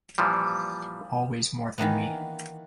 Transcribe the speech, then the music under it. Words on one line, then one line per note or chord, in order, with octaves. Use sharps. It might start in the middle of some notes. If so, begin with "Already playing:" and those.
Always more than me.
A#2 E3 F3 G3
D#3 E3 A#3 B3